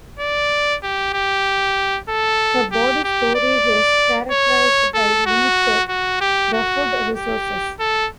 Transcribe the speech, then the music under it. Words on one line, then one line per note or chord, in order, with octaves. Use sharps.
The body storage is characterized by limited the food resources.
D5
G4
G4
A4
G4
G4
D5
C#5
A4
F#4
F#4
G4
F#4
G4
A4